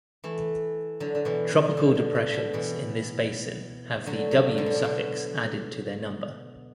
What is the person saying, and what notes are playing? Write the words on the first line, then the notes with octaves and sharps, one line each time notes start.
Tropical depressions in this basin have the "W" suffix added to their number.
E3 A3
D3 F#3
D3
B2 E3
D3
B2
D3
D3
B2
B2 E3
D3 F#3
D3 F#3
D3
B2
A2
B2